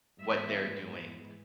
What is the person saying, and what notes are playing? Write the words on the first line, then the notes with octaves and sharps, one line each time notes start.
what they're doing,
G#2 E3 G#3 B3 E5